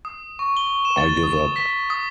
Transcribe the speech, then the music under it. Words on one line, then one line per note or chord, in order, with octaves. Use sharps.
I give up.
D#6
C#6
G7
E7
A6
D#6
B6
D#6